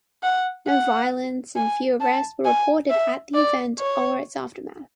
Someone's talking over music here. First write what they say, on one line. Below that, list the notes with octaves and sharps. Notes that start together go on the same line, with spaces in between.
No violence and few arrests were reported at the event or its aftermath.
F#5
F#5
G#5
A5
G#5
E5
D5
C#5